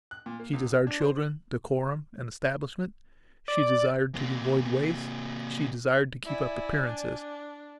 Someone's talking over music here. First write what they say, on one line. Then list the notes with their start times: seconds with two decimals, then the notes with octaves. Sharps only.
She desired children, decorum, an establishment; she desired to avoid waste, she desired to keep up appearances.
0.11 F#6
0.26 A#2
0.40 A#3
0.53 C#2
0.66 E1
0.87 D4
1.01 C5
1.17 F#7
3.48 D5
4.15 C3 A#3
6.25 E4 D5 G#5
6.86 D4